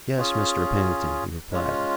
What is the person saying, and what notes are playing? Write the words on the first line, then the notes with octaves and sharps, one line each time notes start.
"Yes, Mr. Pennington," he replied.
C#4 F4 G#4
G#3 C#4 F4